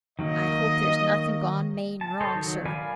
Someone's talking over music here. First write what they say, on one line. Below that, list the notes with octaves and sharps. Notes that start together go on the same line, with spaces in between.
I hope there's nothing gone main wrong, sir.
D#3 F#3 A#3 D#5
A5
A4 C5 C#5 D#5 A5
D#3 F#3
A#4 D5 F5 G#5 B5